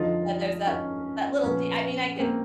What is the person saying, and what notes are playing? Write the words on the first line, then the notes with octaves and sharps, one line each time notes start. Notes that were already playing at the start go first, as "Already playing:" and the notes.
Yeah, there's that that little de I mean, I could
Already playing: F2 D3 F3 D#4 F4
C#4 D#4
A#2 F3 B3 C#4
A#3 C4